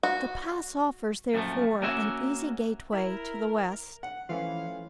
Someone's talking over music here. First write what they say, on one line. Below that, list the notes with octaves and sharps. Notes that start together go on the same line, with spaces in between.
The Pass offers, therefore, an easy gateway to the West.
F#4
F#2 A#2 F3 A3
A#3 C#4 F#4 E5
E4 A#4
F#5
E3 F3 A3 C#4 F5